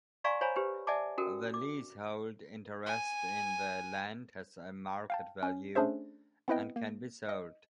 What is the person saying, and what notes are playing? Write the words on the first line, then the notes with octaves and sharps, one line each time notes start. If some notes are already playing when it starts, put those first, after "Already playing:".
The leasehold interest in the land has a market value and can be sold.
D5 F5 G#5 A#5 C6 C#6
C5 C#5 F5 G#5 A#5 B5
G4 B4 C5
D5 E5 F#5 G#5 A5 D6
C#4 F#4 A4 A#4 G5
D6
G#5
F5 G5 A5
C#4
A3 C#4 D4 G#4 C5 E5
B3 C4 E4 B4 D#5 G5
A#3
D#5